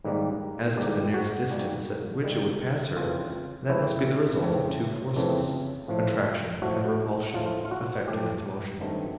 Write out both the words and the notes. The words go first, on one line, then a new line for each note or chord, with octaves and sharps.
As to the nearest distance at which it would pass her, that must be the result of two forces, attraction and repulsion, affecting its motion.
G#2 D#3 G3 A#3
G#2 D#3 G3 A#3 G4
F#4
G#2 D#3 G3 A#3
G#2 D#3 G3 A#3
F2 C#3 E3 A3 C4 F4
F2 C#3 E3 A3 C4 E4
F2 C#3 E3 A3 C4
F2 C#3 E3 A3 C4
A2 F3 A3
A2 F3 A3 F#4
A2 F3 A3 F4
F4
F#4
A2 F3 A3 G4
G2 D#3 F#3 A3 C4